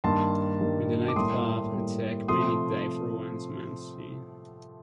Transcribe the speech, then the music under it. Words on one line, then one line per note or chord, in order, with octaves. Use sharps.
In the nightclub attack, many die for one man’s sin.
G2 D#3 G3 A#3 A5 C6
G2 D#3 G3 A#3
D6
A2 G3 A#3 C6 D#6
A2 G3 A#3
C3 F3 A3 C6 D#6